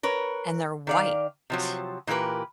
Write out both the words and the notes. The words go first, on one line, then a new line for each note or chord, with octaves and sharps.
and they're white,
A#4 B4 C#5
D#3 D5 F5
C3 F3 F#3
A#2 E3 G4 A#4 B4